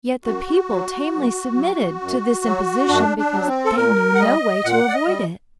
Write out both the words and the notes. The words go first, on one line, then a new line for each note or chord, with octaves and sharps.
Yet the people tamely submitted to this imposition because they knew no way to avoid it.
F#2 F#4
F#3
F#2
F#3
F#2
F#3
F#2 D4
D4
F#3
C4
A4
A#2 A#4
F#5
G3 D#5
A#2 F#5
D5
D#5
G3